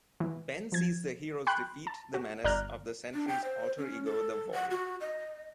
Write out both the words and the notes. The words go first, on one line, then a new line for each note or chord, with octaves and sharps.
Ben sees the heroes defeat the menace of the Sentry's alter-ego the Void.
E3
F3 G#6
G5 B5 C6 F#6 G6
A5
F#4
G1 D5 A#5 F6 F#6
D4
G5
C5
C#4
A4
F#5
F#4
D#5